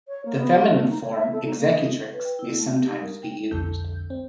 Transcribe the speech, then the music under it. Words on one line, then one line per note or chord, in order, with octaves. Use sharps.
The feminine form, executrix, may sometimes be used.
C#5
A#3
B3
G4
A3
D#4
C#5
E5
A4
D#4
A#3
D#5
B4
G5
E4
A3
G4
D#4
A#4
G5
B1 F2 D3 A4 G6
C4